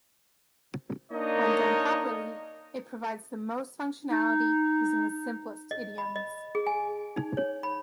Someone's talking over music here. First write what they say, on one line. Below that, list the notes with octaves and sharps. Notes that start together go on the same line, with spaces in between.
When done properly, it provides the most functionality using the simplest idioms.
A#3 D4 D#4 A#4 C#5 D#5
D#4
D#5
B5
D#5
G#4
G#5
D#4
C#5
B5